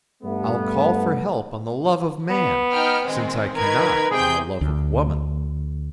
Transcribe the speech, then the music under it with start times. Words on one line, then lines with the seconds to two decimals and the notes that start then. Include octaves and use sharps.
I'll call for help on the love of man, since I cannot on the love of woman.
0.23 G2 A3 B3
2.30 B3
2.72 D#4 G5 F6
3.04 D#3 G#3 C4
3.56 D#3 A#4 B4 G#6
4.11 C3 G#4 G5 G6
4.61 D2